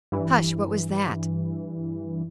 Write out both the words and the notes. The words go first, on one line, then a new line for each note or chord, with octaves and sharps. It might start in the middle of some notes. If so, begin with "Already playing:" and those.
"Hush! what was that?"
G2 E3